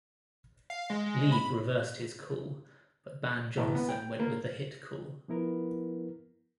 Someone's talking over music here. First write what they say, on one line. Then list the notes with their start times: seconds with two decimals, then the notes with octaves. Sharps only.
Lieb reversed his call, but Ban Johnson went with the hit call.
0.70 F5
0.90 G#3
1.06 G#3
1.32 B5
3.57 A1
3.75 B3
3.89 G5
4.20 A#3
5.28 F3 B3 E4 A#4 B4